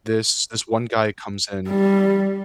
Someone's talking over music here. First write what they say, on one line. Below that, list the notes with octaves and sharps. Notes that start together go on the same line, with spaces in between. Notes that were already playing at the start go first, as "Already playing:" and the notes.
this this one guy comes in
G3